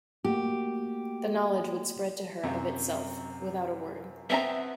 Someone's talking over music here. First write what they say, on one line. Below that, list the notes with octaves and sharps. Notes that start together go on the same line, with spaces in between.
The knowledge would spread to her of itself, without a word.
A3 A#3 F#4 G4
F#2 C3
B3 C4 E5 A#5